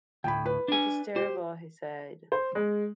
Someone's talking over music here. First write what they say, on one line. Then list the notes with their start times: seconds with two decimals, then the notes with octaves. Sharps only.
"It is terrible," he said.
0.24 D2 A2 G5 B5
0.46 B4
0.68 D4 G#5
1.16 G4 C5
2.32 C5
2.55 G#3